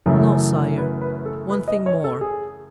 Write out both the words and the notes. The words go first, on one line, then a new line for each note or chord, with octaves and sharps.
"No, sire, one thing more."
F#2 C#3 E3 A3
B4
B4
A4
B4
D#5
C#5
A4
G#4